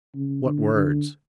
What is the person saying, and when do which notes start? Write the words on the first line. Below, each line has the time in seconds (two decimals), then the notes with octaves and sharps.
"What words?"
0.15 C#3
0.45 D3
0.74 D3